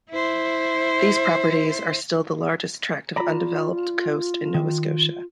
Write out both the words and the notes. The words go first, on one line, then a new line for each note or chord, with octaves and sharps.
These properties are still the largest tract of undeveloped coast in Nova Scotia.
E4 C5
F4 D5 A#5 B5
D#3